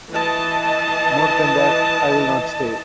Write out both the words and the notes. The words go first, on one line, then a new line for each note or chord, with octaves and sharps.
More than that, I will not say.
E3 D#5 A5